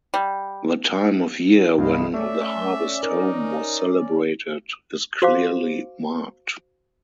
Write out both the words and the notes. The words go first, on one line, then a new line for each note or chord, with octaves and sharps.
The time of year when the harvest-home was celebrated is clearly marked.
G3
C2 G2 E4 D#5 F5
A3 C#4 D5 E5
D#4 A#4
F#4 C5 F5 D6